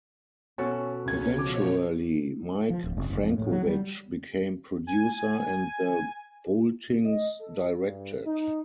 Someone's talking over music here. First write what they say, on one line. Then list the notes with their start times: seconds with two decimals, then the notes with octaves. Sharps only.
Eventually Mike Frankovich became producer and the Boultings directed.
0.58 B2 C#4 F#4 A4
1.05 C#2 C#4 G#6
1.38 B2 F3 C#5 D6
2.70 F3
2.84 D1
2.97 F1
3.10 F#1
3.24 F2
3.38 A2
3.51 F#3
3.66 G3
4.87 G#5
7.06 D#5
7.40 A4
7.84 G2
8.27 D#4